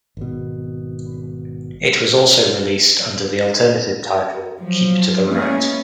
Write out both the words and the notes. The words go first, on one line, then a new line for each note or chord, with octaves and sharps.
It was also released under the alternative title Keep to the Right.
G#1 B2
F3 F#3
G#3 A#3 B3 C#4 E4 G#4